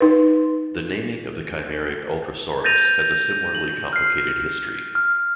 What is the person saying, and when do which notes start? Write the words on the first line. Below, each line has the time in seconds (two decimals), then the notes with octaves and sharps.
The naming of the chimeric "Ultrasauros" has a similarly complicated history.
0.01 D#4 B4
2.64 G6 A6 A#6 D#7 F7
3.55 F#7
3.93 F6 C7
4.95 F6